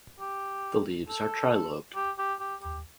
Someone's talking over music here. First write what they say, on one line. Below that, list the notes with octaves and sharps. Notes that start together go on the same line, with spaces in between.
The leaves are trilobed.
G4
A4
G4
G4
G4
G4